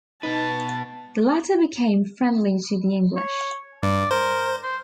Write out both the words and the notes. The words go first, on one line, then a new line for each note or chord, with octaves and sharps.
The latter became friendly to the English.
B2 B3 D#4 B4 A5
C#5
G2 D5
A#4 C5
C5